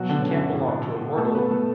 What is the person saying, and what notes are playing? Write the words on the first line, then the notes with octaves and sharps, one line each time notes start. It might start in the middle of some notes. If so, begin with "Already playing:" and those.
She can’t belong to a mortal!
Already playing: B2 F#3 F#4
D3 D4
B2 C#4
D3 D4
A2
F3
B2 A3 A4
B3 B4
B2 A3 A4